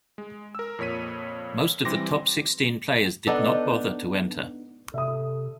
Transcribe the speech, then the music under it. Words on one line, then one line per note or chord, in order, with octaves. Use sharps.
Most of the top sixteen players did not bother to enter.
G#3
A#4 E6
F2 A#2 C#5 B6 D#7
E3 G3 C4 C6 D6 A#6
B3 D4 D#4 A4
C3 A4 E5 D#6